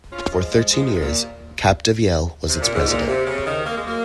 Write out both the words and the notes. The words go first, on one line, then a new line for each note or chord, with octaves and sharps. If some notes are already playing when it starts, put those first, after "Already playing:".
For thirteen years Capdevielle was its president.
C#4 F4
F3 G#3
F3 G#3
F3 G#3
C#3
C3
A#2
C3
A#2
G#2
A#2
C3
C#3
C3 D#3
A#3
G#3
F#3 A#3